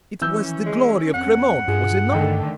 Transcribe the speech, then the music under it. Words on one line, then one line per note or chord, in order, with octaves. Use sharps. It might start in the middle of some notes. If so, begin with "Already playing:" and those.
It was the glory of Cremona, was it not?
E3 C#4 E6 G6
G#3
F2 F#5
G2 F4 G#4
D3 D#3 A3 A4 D#5 G5